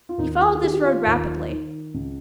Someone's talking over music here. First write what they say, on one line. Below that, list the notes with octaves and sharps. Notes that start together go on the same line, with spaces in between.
He followed this road rapidly.
F4
D#2 D#4
F4
G#4
D#3 G4
G4
F4
D#2
D#3
C#2